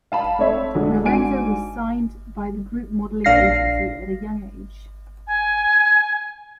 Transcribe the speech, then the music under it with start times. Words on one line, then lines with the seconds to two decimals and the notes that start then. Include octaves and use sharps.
Lorenzo was signed by the Group modeling agency at a young age.
0.12 F5 A5 B5
0.39 A3 C4 C#5 E5
0.75 F2 D3 G#3
1.04 G#2 D4 F#4 G#5 D7
3.24 A#1 A#2 D4 F5 A#6 C7
5.26 G#5